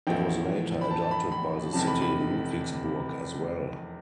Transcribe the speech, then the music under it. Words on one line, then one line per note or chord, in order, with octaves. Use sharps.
It was later adopted by the city Ludwigsburg as well.
A1 A2 F3 B3 E4 G5
B5
A5
A5
B5
B5
F1 E2 C3 A5
B5
B5